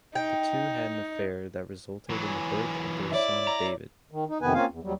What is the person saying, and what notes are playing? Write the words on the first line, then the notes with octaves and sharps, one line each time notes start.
The two had an affair that resulted in the birth of their son David.
D#4 G5
E3 F#3 G#5
E4 C#5 D5 E5
A#5
D#3
D#4
F2 C3 D#3 B3 B4 G#5
A#3 C4 C#4 F4 F5 G#5
E2
D#2 F#3 G3